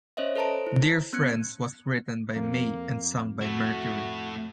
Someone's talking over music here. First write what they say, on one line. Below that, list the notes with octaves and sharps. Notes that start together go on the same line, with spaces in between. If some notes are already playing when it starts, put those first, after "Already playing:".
"Dear Friends" was written by May and sung by Mercury.
C#4 C5 C#5 D#5 E5
A4 B4 C5 A5 A#5 D7
E4
B3 C#4 F#6 G#6 C#7
F2 A#3
A3 E4 F#4